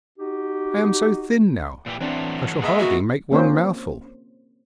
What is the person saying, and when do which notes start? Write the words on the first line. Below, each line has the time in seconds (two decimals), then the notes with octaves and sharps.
I am so thin now, I shall hardly make one mouthful.
0.19 D#4 F#4 G4
1.86 A#2 E3 G4
2.01 E3 F#3 A3 C4 D4
2.62 A#3 B3 G#4 D#5 E5 F#5
2.79 F#4
3.32 A#3 C4 C#4 C5